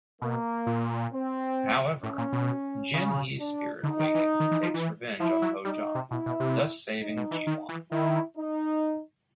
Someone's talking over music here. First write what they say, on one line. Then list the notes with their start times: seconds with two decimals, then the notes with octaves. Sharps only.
However, Jin-hee's spirit awakens and takes revenge on Ho-jung, thus saving Ji-won.
0.22 B2 A#3
0.66 A#2
1.13 C4
2.02 A2 C#4
2.18 A#2
2.32 B2
2.94 C#3
3.39 D4
3.83 D3 D#4
4.00 D#3
4.15 E3
4.40 D#3
4.51 E3
4.63 F3
4.74 E3
5.19 F3 E4
5.42 F#3
5.65 G3 D#4
5.95 C3
6.11 B2 E4
6.26 B2
6.40 C3
7.01 D#4
7.17 B2
7.31 E3
7.47 D#3
7.69 E3
7.91 D#3 E4
8.37 D#4